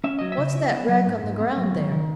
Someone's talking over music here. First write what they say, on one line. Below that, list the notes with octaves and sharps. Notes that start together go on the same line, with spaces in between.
What's that wreck on the ground there?'
C#4 E5
F#3 D#5
E5
C#3
E4
B3
F#3
G#2
G#2
B3
F#3
D#3
D#3